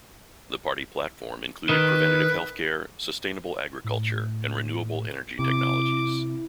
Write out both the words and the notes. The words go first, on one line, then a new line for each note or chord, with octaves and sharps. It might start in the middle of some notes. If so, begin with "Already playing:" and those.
The party platform included preventive health care, sustainable agriculture and renewable energy technologies.
D#3 B4
A2
C3 E4 D6